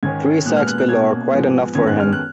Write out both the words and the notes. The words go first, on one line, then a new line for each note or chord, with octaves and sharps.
Three sacks below are quite enough for him.
G#2 D#3 G#3 C#4 G#6
A#2 G#3 B3 F#6
F6
F#6
F#6
B2 A#3 C#4 G#6
G#2 F3 G#3 B3
F#2 D#3 G#3 B3 G#6
F#6
F6
F#6